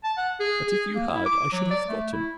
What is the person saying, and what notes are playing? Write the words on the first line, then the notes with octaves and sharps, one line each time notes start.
But if you had I should have forgotten.
A5
F#5
G#4
G#4
A#3
E4
D6
F#3
D5
A3
E4